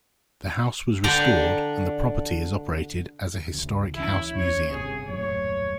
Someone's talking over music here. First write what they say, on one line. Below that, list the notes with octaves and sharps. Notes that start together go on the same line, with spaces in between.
The house was restored and the property is operated as a historic house museum.
D3 D4 G5 A#5
D2 C#3
D2 E3 C#4 E4
C#5
G1 C3 G#4
D#1 F#2 A2 C#5